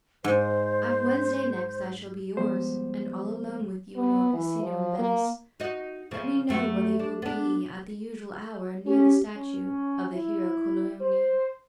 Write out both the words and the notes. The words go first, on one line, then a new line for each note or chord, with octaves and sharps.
On Wednesday next I shall be yours, and all alone with you in your casino in Venice; let me know whether you will be at the usual hour near the statue of the hero Colleoni.
G#2 C5
F3 G3 G#3 B3 C5
B3
E3
F3
A#3
D#4 F#4 D#5
C#3 F3
F#2 A3 F#4
D4
B3 D4
C#4 G4
C#4
E4
C5